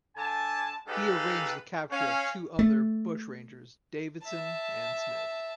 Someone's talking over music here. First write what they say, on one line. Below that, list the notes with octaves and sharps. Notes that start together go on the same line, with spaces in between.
He arranged the capture of two other bushrangers Davidson and Smith.
D3 G#5 A5
G#3 D#4 G4 A4 B4 F5
C#4 F5
A3
E5 A5